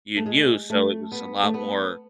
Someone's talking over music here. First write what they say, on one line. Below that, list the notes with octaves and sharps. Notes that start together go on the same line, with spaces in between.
you knew, so it was a lot more
A3
G#3
A3
B3
A3
B3